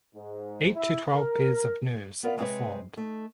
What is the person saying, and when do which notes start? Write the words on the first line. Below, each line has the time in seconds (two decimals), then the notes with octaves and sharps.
Eight to twelve pairs of nerves are formed.
0.15 G#2
0.74 E4
1.14 A#4
2.23 B3 F4 A#4 D5 E5 F5
2.38 C3 G#3 C4 A#4 B4 C#5
2.96 A3 D#4